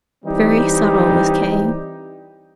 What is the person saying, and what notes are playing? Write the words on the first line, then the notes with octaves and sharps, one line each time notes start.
Very subtle was Kay.
E3 G3 C4 D#4 G4